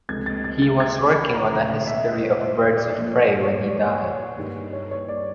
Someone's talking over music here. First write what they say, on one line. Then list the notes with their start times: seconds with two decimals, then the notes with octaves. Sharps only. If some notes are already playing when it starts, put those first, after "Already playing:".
He was working on a "History of Birds of Prey" when he died.
0.09 C#2 C3 F3 A3 D4 G#6
0.26 A6
0.44 A6
0.62 A6
0.80 G#6
0.98 D6
1.16 B5
1.34 A#5
1.52 E1 D#2 C#3 F3 G#3 A#5
1.69 E5
1.87 E5
1.99 D#5
2.12 D#5
2.23 C#5
2.41 C5
2.59 C#5
2.77 D5
2.95 A#1 A#2 F3 D5
3.12 C#5
3.42 C#5
3.54 D5
3.66 D5
3.84 C#5
4.02 C#5
4.38 G2 D#3 G3 A#3
4.73 C#5
4.91 C#5
5.08 D5